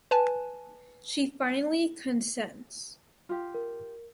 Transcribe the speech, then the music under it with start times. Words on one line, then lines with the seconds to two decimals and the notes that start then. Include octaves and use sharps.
She finally consents.
0.11 B4 G#5 A5
3.29 F4 G4
3.54 A#4